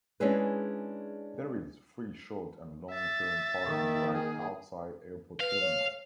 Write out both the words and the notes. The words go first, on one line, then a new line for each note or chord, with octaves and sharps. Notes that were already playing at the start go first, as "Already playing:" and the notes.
There is free short and long term parking right outside airport terminal.
G#3 C#4 D4 E4 G#4 B4
E5 A6
D#3 A#3
G#4
B4 F5
C#5